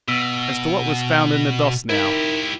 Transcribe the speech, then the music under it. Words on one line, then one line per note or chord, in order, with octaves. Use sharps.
'As to what was found in the dust now.
B2 B3 E6 B6
D#4 E4 G4 A#4